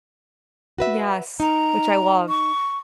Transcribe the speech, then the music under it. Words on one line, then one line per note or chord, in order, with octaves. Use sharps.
Yes, which I loved.
F#4 B4 E5
D#4 A#5
C#6